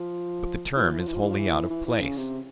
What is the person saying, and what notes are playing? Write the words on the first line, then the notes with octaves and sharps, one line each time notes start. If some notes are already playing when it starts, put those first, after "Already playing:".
But the term is wholly out of place.
Already playing: F3
E3
F3
E3
F3
E3
F3
E3
F3
E3
E3
E3
C#3
C3